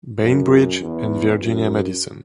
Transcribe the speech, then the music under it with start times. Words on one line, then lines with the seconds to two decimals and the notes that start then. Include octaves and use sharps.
Bainbridge and Virginia Madison.
0.22 F#2
0.82 E2
1.40 F#2